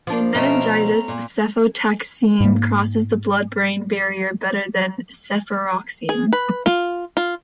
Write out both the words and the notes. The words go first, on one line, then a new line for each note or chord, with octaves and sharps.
In meningitis, cefotaxime crosses the blood-brain barrier better than cefuroxime.
F3 D4
B2 A3 C4 C#4 A#5
A#2
G#2 A#3
G#4
B4
F4
F4